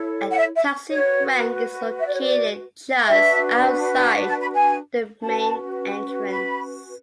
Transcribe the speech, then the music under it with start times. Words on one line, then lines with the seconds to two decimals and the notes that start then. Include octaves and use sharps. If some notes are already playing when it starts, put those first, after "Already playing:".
A taxi rank is located just outside the main entrance.
Already playing: E4 A4 C#5
0.30 F#5
0.37 E5
0.55 E5
0.91 F#4 B4 C#5
1.99 E5
2.05 D5
2.13 C#5
2.20 D5
3.06 D4 F#4 B4 E5
4.27 A5
4.40 B5
4.54 G#5
5.21 C#4 F#4 B4 A5
6.29 B5